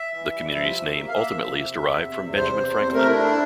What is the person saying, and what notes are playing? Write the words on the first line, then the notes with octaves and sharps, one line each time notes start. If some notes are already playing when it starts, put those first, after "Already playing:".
The community's name ultimately is derived from Benjamin Franklin.
Already playing: E5
E3
G3
F3 E5
C3
A#3
F5
A#3 E5
F3
C3
E2
C3
E2
C3 C5
E2
C3
A3 A#4
E4
D4
E4